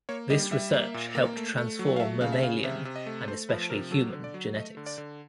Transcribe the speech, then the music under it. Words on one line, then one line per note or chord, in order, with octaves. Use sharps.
This research helped transform mammalian, and especially human, genetics.
A#3 C#5
G3 D#5
G3 E5
A#3
A#2
A#3
A3
A3
F#3
F5
A3 E5
C#3 F5
E5
C#3 F5
C3 E5
C3
D#5
A3
A3 C5
F3 B4
C3 A#4
F#3 A4
D3
D5
F#3
A3 D#5
D3
D5
D3